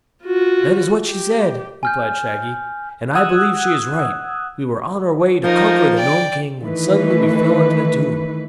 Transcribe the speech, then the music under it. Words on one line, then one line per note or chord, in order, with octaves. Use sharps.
"That is what she said," replied Shaggy, "and I believe she is right. We were on our way to conquer the Nome King when suddenly we fell into the Tube."
F4 F#4
G4
G#5 F6 G6
F#5 D#6 E6 F#6 G#6
F3 D#4 A#4
D5 G5
D#3 E3 A3 B4